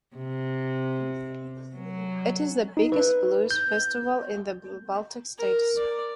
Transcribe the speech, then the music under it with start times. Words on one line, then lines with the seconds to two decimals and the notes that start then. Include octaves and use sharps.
It is the biggest blues festival in the Baltic states.
0.16 C3
1.75 F#3
2.77 D#4
2.92 B4
3.51 G6
5.38 A#4
5.77 D5